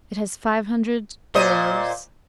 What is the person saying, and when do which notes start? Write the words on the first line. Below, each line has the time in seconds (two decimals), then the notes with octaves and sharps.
It has five hundred doors.
1.35 A#2 C5 D#5